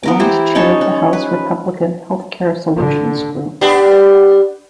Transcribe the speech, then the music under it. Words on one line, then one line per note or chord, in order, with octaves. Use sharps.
Blunt chaired the House Republican Health Care Solutions Group.
B3 A#4 D6
E3 E4 G4 C5
C#4 D#4 C#5 A5
C#4
B4
D3
B3 D4 G4